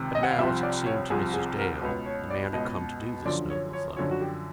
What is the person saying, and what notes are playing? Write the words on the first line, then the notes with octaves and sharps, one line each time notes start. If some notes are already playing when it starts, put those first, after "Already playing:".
But now, as it seemed to Mrs. Dale, the man had come to do this noble thing.
Already playing: C#2 C3 D#3
D#5
F#5
F5
C2 C3 F3 E5
D5
C#5
C2 C3 F3 G#4
G#4
A#4
C#2 B2 B4
C#5
D5
C#2 B2 D#5
F#2 D3 F3 D5
C#5
C#5
F#2 D3 F3 C#5
F#4
G4